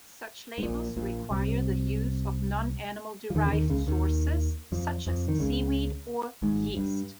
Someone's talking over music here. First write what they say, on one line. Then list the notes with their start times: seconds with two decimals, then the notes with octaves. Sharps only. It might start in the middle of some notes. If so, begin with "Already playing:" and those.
Such labels require the use of non-animal derived sources, such as seaweed or yeast.
0.58 G#2
0.63 A#1 A#2
0.96 A#1 A#2
1.31 C2 C3
3.30 F3
3.35 D#2 D#3
3.45 C#3
3.52 D#2 D#3
3.70 C#2 C#3
3.87 D#2 D#3
4.72 F2 F3
5.07 F2 F3
5.28 D#3
5.40 C#2 C#3
6.42 G#1 G#2
6.77 G2